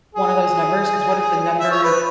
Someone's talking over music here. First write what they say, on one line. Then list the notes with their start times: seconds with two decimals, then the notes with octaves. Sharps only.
one of those numbers, 'cause what if the number
0.15 G#4
1.59 E5
1.71 C#5
1.83 B4